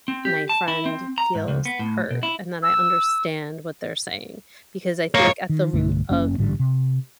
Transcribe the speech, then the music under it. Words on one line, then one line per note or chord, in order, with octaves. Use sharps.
my friend feels heard and that I understand what they're saying. Because I think at the root of
C4
G4
A5
E4
C4
A#5
G#2
C#2
B3
A2
B2
E4
E6
G#2 A#3 C#5
D#3
B1 G2 D3 A3
F#1 F#2 A#3 C#4
A1 G#2 D3 G3
C3